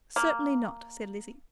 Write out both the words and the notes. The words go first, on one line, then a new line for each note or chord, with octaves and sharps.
"Certainly not," said Lizzie.
A#3